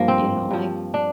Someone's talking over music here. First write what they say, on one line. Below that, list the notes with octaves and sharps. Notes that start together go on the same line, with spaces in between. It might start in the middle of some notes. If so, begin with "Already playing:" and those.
you know, like,
Already playing: G2 F3 A#3
C4
G2 F3
D4